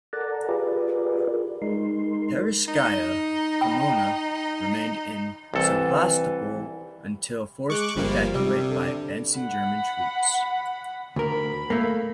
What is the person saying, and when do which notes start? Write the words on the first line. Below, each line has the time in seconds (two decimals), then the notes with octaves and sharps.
"Parizhskaya Kommuna" remained in Sevastopol until forced to evacuate by advancing German troops.
0.13 A4 A#4 D5 F#5 A5 A#5
0.49 F4 G4 G#4 A#4 B4 D5
1.62 G#3 D#4 A#4 C6
2.68 D#4
3.61 G5 B5
5.54 C2 E3 A4
7.70 G#3 C#6 D6 F#6
7.96 G1 F3 G3 A#3
8.34 C3 G3
8.70 D3
9.37 F#5 B5
11.16 D2 A#4 B5
11.70 A3 A#3